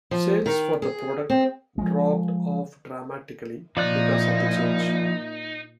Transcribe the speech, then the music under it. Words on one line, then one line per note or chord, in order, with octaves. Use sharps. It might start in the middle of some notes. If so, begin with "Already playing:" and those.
Sales for the product dropped off dramatically because of the change.
F3
D#3
G#4
C4
F3 G#3
A#2 F3 D#4 E4 D5 F#6